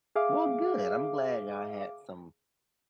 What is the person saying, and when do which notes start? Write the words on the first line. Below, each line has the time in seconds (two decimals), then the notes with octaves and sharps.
Well, good, I'm glad I had some,
0.15 G#4 E5 F5 D6